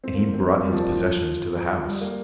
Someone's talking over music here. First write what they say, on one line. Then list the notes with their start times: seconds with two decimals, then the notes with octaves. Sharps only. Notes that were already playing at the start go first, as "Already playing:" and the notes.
And he brought his possessions to the house.
0.04 C4
0.15 A#3
0.19 C4
0.34 C4
0.49 A#3
0.61 G3
0.72 F3
1.86 G3
2.01 A#3